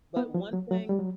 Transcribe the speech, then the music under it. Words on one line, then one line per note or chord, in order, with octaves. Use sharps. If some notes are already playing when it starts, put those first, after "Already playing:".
But one thing
B3
F3
F#3
F#3
G3
F#3